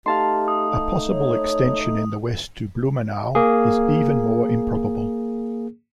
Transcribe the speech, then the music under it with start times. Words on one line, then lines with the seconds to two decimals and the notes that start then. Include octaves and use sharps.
A possible extension in the west to "Blumenau" is even more improbable.
0.06 A3 D#4 G4 F5 A5 C6
0.48 D#6
1.10 C#5
3.35 A#3 G#4